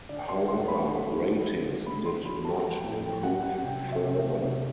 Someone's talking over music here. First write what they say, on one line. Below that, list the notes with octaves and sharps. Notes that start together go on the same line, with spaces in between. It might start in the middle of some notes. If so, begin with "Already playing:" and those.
However, ratings did not improve further.
D3 D5
F#3 C6
D3 C6
A3 B5
D3
F#3
D3
F#3
D3
A3 B5
D3 C6
F#3 B5
G3 A5
G3
G5
A2
A2 G5
G3 F#5
G3 F#5
C3 G5
F#3
E5
C3
A3
C3